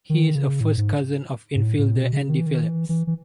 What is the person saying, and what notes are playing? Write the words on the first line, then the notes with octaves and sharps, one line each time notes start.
He is a first cousin of infielder Andy Phillips.
D#3
C#3
A2
G#2
G#2
A2
A2
B2
C#3
D#3
E3
D#3
E3
E3
E3